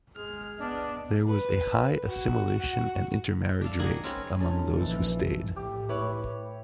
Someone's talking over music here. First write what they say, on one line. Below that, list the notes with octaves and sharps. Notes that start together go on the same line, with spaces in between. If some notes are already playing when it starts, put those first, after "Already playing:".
There was a high assimilation and intermarriage rate among those who stayed.
G#3 G#4 F6
B3 D4 D#5
B4
F#4
D4 A4 F5
D#3 A#3 F#4 G#4 F#5 G#5
C4 C#4 F#4 B4 C#5
C#4 D#4 F4 A4
A#1 E3
A2 G4
E4 B4 C#5